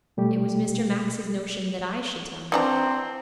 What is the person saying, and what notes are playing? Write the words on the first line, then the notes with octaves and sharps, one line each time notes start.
'It was Mr. Max's notion that I should tell you.'
B2 G3 A3 G4
E3 C4 D4 A#5